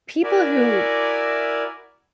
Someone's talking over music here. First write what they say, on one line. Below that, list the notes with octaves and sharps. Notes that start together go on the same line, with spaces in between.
people who
E4 F#4 A#4 D5 E5 G#5